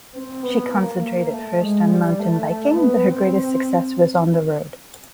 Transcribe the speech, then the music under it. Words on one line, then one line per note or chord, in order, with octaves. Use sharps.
She concentrated first on mountain biking but her greatest success was on the road.
C4
B3
A#3
A#3
A3
G#3
G3
A3
B3
C4